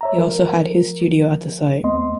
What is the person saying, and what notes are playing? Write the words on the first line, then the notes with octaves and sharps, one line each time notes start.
He also had his studio at the site.
C#5 E5 A#5
F3 A#4
D#2 A3 B3 C4 D#5 C6